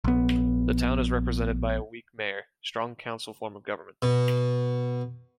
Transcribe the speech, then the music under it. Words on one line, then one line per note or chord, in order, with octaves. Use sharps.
The town is represented by a weak mayor - strong council form of government.
A#1 B3
B2